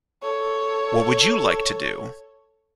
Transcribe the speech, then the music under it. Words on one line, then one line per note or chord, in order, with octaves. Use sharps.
What would you like to do?
A4 C#5